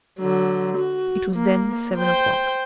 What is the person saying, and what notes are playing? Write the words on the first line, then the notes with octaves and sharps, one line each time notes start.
It was then seven o'clock.
D3 F#3
F#4
A#3
C5 G5